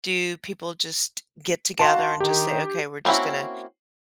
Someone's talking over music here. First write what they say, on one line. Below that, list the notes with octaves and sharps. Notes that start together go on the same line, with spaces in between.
do people just get together and just say, "Okay, we're just gonna
D4 F#4 D#5 F5 A5 C6
D#3 G4
A#3 C4 C#4 E4 F#4